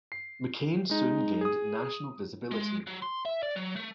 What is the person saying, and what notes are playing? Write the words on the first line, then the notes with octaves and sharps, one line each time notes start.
McCain soon gained national visibility.
C7
G#3 D#4
G#4 D#6
G#3
F#3
C6
E5
D5
F#3
A3